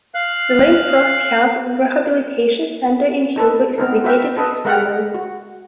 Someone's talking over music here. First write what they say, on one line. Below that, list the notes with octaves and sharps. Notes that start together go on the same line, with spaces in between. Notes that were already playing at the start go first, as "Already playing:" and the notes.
The Lane Frost Health and Rehabilitation Center in Hugo is dedicated to his memory.
F5 F#6
D#4 A4 B4
B3 C4 D#4 A#4
F#4 A#4 B4 E5 G5
A4 B4 D#5
G#3 A#4 E5 F#5 G5
F#4